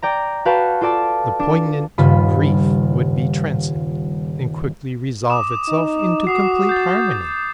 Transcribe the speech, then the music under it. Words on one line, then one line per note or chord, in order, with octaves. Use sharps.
The poignant grief would be transient and quickly resolve itself into complete harmony.
D5 G5 A#5
F#4 B4 F5 G5 A5
F4 A4 D5 A5
D4
D#1 G2 C#3 F4 B5 D#7
D6 D#6 E7
D#4
F#4 D6 D#6 C7
G6 A6